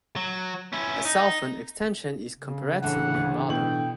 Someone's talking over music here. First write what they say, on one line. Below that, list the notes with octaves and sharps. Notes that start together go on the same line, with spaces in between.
A southern extension is comparatively modern.
F#3
C#4 E4
D#4
C#3
A2 D3 E3 F#5
D2
B2 E4 G5 F#7